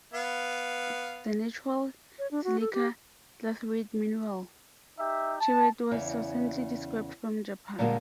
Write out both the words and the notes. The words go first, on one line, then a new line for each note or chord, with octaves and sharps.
The natural silica clathrate mineral, chibaite was recently described from Japan.
B3 F5
C#5
D4
F#4
A4
G4
D#4 G4 E5
A5
E2 C#3
A#2 D3 G3 G#3 A#3